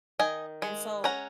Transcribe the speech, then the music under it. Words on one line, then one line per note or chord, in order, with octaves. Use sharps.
And, so,
D#3 D#5 G#5
G#3
C#4 F#5 A#5